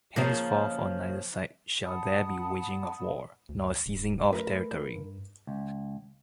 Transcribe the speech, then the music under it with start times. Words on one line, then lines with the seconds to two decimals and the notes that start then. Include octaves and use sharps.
Henceforth on neither side shall there be waging of war nor seizing of territory.
0.16 C#3 F3 A#3
1.84 F#5 A5 B5 D#6
3.49 D2
3.86 D1
4.33 A3 A#4 B4
4.96 G2
5.47 C#2